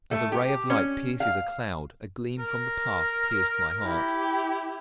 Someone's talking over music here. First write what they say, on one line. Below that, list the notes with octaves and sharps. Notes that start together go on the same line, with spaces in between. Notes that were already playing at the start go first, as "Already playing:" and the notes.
As a ray of light pierces a cloud, a gleam from the past pierced my heart.
A3
G4
C#4
F5
A#4
E4 G4